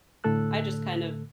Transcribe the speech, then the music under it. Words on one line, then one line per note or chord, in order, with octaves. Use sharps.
I just kind of
A2 D3 A3 A4 E6 F#6